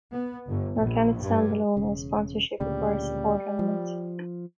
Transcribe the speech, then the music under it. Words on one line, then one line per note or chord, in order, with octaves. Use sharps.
Nor can it stand alone, as sponsorship requires support elements.
B3
G1
A#1
G2
E1 C#3
D2 A#2 C#3 G3
F3